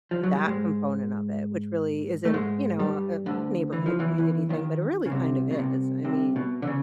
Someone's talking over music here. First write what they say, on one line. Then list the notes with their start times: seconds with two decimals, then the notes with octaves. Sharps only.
that component of it, which really isn't, you know, a neighborhood community thing, but it really kind of is. I mean,
0.11 F3
0.23 F#3
0.35 G3
0.47 G#2 G#3
2.25 A3
2.33 G#2 G#3
2.79 G2 G3
3.26 D2 D3
3.72 E3
3.86 F3
3.99 E2 E3
4.18 E2 E3
4.49 D#2 D#3
5.06 C#3
5.11 C2 C3
5.51 B2
5.57 C2 C3
6.04 C2 C3
6.36 B2
6.62 D3
6.67 C#3